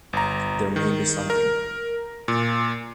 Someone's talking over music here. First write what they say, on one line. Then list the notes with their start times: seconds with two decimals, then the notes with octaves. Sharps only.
There may be something.
0.13 G1 A#5
0.76 D#3
1.30 A#4
2.28 A#2